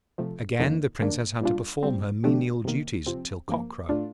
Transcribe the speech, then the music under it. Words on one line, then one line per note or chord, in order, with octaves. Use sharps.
Again the Princess had to perform her menial duties till cock-crow.
C3 F3 A3
F2 D3 F3 A#3 D#4
D#3 A#3 D4
A#2 G3 D4 F4
C3 G3 C4
D3 F3 A3 D4 G4
C3 D#3 A#3
C3 F3 C4
G2 F3 A#3
A2 A3 D4 F4